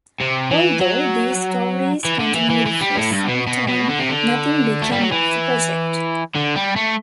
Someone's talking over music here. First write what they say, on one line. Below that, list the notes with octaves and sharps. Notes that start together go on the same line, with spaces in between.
Although these stories continued for some time nothing became of the project.
C3
E3
F#3
E3
D3
E3
E3
E3
G3
A2
G2
B2
B2
B2
D3
C3
D3
A3
G3
F#3
E3
D3
G3
A3